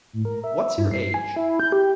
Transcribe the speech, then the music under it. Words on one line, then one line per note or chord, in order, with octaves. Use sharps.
What's your age?
A2
A#4
E5
G2
C7
G#5
E4
G6
G4